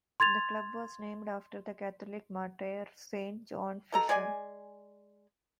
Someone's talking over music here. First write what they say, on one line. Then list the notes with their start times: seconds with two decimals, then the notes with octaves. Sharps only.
The club was named after the Catholic martyr Saint John Fisher.
0.20 C6 G#6 A6 F7
3.92 B2 A4 A#5
4.09 G#3 D5 G#5